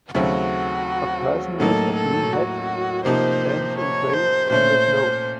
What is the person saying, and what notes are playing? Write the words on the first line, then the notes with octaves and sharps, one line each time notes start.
A person with a blue hat stands in trails in the snow.
D#2 C#3 F#3 A3 C4 F#4
A2 F#3 A#3 D#4 A4
A4
F#4
C3 F3 A#3 D#4 C5
C#5
C5
A#2 A3 C#4 C5